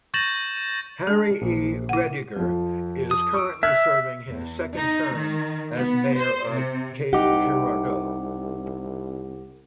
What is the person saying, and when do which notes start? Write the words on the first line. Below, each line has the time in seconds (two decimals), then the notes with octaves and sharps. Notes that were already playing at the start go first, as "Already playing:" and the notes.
Harry E. Rediger is currently serving his second term as Mayor of Cape Girardeau.
0.14 C#6 G6 A6 A#6 E7 F#7
1.07 G#3 D4 G#4
1.42 A#1
1.89 E4 F#5
2.36 F2 F3
3.11 D#6
3.34 C#6 E6 D7
3.63 E5 F6 F#6 G#6
4.29 E2
4.74 D#4
5.16 D#3
5.76 B3
6.16 C5
6.50 C3
7.13 C2 D#4 G4 F#5 D6